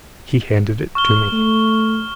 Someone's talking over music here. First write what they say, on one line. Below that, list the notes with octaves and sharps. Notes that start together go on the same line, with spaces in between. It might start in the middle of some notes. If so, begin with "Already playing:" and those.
He handed it to me.
C#6 F6 G7
A3